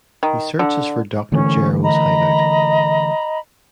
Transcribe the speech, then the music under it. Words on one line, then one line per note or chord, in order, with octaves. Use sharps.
He searches for Doctor Gero's hideout.
D#3
D3
D3 E3 A3 C#4
D#5 A#5 B5